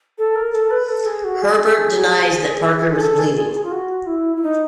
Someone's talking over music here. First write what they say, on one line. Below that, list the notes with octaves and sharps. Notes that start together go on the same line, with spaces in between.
Hebrard denies that Parker was bleeding.
A4
A#4
A4
B4
A4
G#4
F#4
G#4
G#4
A4
G#4
G#4
G#4
F4
F#4
E4
E4
D#4